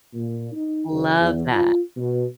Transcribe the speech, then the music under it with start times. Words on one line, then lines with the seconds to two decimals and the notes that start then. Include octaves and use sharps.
Love that.
0.14 A#2
0.53 D#4
0.90 F#1
1.20 E2
1.51 F4
1.97 B2